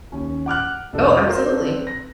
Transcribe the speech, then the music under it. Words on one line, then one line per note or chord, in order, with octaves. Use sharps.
Oh, absolutely.
D#2 C#4
F#5 D6 F6 F#6
F1 D4 A4
F4 F#4 A#4 C5
C4 A4 B4
A#6